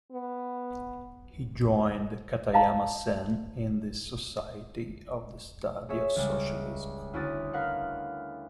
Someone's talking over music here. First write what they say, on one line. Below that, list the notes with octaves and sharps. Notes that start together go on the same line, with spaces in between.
He joined Katayama Sen in the "Society of the Study of Socialism".
B3
D#5 F5 A5 A#5
G#4 C#5 E5
C#2 G3 G#3
D2 C#4 E4 F#4 D#6 A6
A#4 B4 F5 F#5